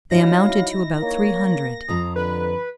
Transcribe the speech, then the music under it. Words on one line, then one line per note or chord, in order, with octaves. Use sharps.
They amounted to about three hundred.
F#3 D#4 E4 F5 A#6
A#3 C#5
F2 F3 A#5 D#6
D3 B4 B5